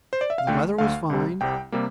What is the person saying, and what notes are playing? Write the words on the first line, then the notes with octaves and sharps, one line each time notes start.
The weather was fine.
C5
D5
E5
F5
D2 D3 A3 G5
D2 D3 A3 F5
C2 C3 G3
C2 C3 G3 G5
C3 G3 A#3